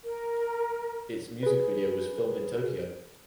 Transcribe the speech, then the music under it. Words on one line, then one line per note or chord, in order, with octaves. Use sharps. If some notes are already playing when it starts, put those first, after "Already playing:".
Its music video was filmed in Tokyo.
A#4
G#4 B4